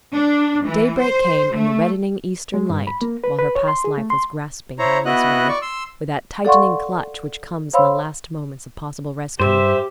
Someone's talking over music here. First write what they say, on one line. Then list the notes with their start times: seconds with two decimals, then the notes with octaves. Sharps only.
Day break came and the reddening eastern light, while her past life was grasping her in this way, with that tightening clutch which comes in the last moments of possible rescue.
0.12 D4
0.64 E3
1.00 C5
1.53 A3
2.54 G#3
2.70 G2
2.87 B5
3.02 A#3
3.24 B4
3.39 B4
3.55 C#5
3.68 C6
3.84 G#4
3.98 A3
4.10 C6
4.79 E4 C5 C#5 A#5
5.05 B3 E4 F#4 D#5 F#6
5.48 D5 C#6
5.62 C6 E6
6.45 A4 D5 F5 F#5 C6 C#6
7.73 C5 C#5 F5 B5 C6 E6
9.40 G2 G4 C5 E5